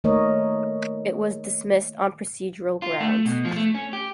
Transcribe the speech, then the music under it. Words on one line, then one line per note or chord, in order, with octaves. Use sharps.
It was dismissed on procedural grounds.
D#3 A3 A#3 A#4 C#5 D#5
F4
A3
B2
F3
A3
C#4
G4